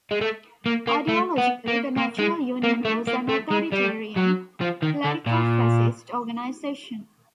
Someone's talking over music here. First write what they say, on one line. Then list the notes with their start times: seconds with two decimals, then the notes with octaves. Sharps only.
Ideologically, the National Union was an authoritarian, clerico-fascist organisation.
0.11 G#3
0.21 A3
0.66 A#3
0.87 A#3
1.09 A3
1.38 B3
1.68 A#3
1.97 A#3
2.19 G#3
2.64 A#3
2.85 A3
3.07 A#3
3.29 A3
3.51 G#3
3.73 G3
4.17 F#3
4.61 F3
4.83 D#3
5.05 D3
5.26 A#2